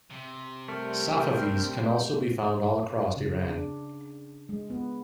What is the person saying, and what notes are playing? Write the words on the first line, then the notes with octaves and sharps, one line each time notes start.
"Safavi"s can also be found all across Iran.
C3
G3 A3 C4 A#4 G5
C#3
D4
G#3
B3